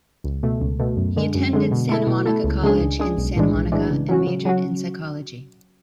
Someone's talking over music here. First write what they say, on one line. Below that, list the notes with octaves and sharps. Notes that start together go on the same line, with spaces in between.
He attended Santa Monica College in Santa Monica and majored in Psychology.
C#2
B2 A3
C#2
B2 A3
F#2
D3 G#3
F#2
D3 G#3
B2
A3 E4 A4
B2
A3 E4 A4
C#2
C#3 G#3 D4 G#4
C#2
C#3 G#3 D4 G#4
B1
A2 E3 G#3 D4
B1
A2 E3 G#3 D4
C#3
F#3 C#4 F#4
C#3
F#3 C#4 F#4